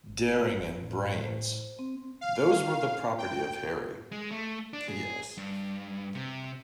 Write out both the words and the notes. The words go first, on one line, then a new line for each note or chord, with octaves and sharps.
Daring and brains, those were the property of Harry — yes.
G1
G1
A2
C5
C4
F5
G5
G#3
A3
D4
G#4
G2
C3